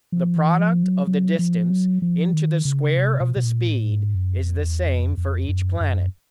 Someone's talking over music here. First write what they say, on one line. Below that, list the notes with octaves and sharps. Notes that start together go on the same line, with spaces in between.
The product of the distance into the square of the speed is the same for each planet.
F3
E3
F3
F#3
F#3
F3
F#3
F3
D#3
C#3
C3
B2
B2
A#2
A2
G#2
F#2
F2
E2
F2
F2
F#2
F#2